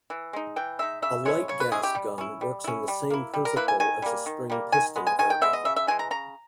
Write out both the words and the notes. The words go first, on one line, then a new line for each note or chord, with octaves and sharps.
A light-gas gun works on the same principle as a spring piston airgun.
E3
G#3 D#4
E3 G5
G#3 D#4 E5
C#3 E5
G#3 C#4 E4 C#5
C#3 C#5
B4
G#3 C#4 E4 G#4
G4
G3
C#4 E4
G3
C#4 E4
G3
A#3 E4
G3
A#4
A#3 E4 B4
G#5
D#3 G#5
G3 A#3
D#3
G3 A#3
D#3 G#5
G#3 B3
G#5
D#3 G#5
G5
G#3 B3 E5
D#5
C#3 E5
E5
E3 G#3 G#5
A#5
C#3 A#5